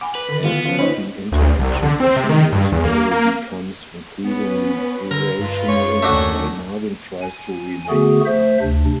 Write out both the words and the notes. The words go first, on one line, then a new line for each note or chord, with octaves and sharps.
As the interaction continues, Carol becomes increasingly irrational, while Marvin tries to remain calm.
F#5 G#5 B5 D6
B4
D3 D#3
E3 B3 F4
F3 C#4 F4
A#3 C#4 D#4 F4 B4 C5 D#5
D2
C2
D3
C4
C3
D#3
G2
E2
A#3
A#3
B3 C#4 B4
D3 A#4
G2 G#3 F4 B4
F#2 C#5
D#2 D#3 A3 C#4 D4 F#4
G#5
D3 A3 B3 F#4 G#4
A3 C5 E5
D2 C3 D4